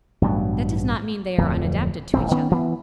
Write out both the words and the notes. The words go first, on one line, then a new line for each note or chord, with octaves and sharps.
That does not mean they are unadapted to each other.
A1 G2 B2 F#3
D1 F2
D#1 A1 E2 C4
D#3 B3 C#4
E3 B3